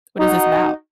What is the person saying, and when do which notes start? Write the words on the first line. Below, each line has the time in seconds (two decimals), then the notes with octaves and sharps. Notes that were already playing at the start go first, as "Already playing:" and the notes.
what is this about?
0.18 D#4 F#4